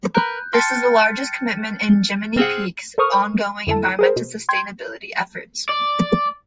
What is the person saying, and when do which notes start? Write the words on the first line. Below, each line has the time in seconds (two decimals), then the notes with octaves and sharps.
This is the largest commitment in Jiminy Peak's ongoing environmental sustainability efforts.
0.15 A#4 B4 F#6 G6
0.53 G5 A5 C6 F6 A6 C#7
2.37 C4 G#4 F#5 F6
2.98 A4 A#4 C5 C#6 D#6 F6
3.67 F2 D3 E4 A4 A5
3.99 G#4 A#4 C5
4.16 B2
4.49 G5 C6 G#6
5.69 D5